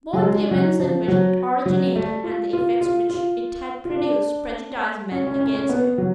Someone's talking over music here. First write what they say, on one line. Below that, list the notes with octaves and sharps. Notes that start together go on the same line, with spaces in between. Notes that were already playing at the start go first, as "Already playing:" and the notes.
Both the events in which it originated, and the effects which it had produced, prejudiced men against it.
F#3
G#3
F#3
F3
F#3
F#3
A3
F4
F4
F4
F4
F4
D4
C#4
C#4
C#4
C#4
B3
F#3